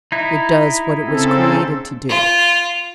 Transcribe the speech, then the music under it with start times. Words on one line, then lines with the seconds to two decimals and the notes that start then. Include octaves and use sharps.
It does what it was created to do.
0.12 D#4 E4
1.08 C#3 C4 A4
2.09 F4